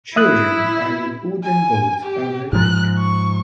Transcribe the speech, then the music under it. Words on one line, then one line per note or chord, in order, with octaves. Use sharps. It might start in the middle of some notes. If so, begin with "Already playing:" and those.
Children are in wooden boats on a lake.
E4 E5 D#6 F#6
G#5
G4
G#2 F3 F#6
C#6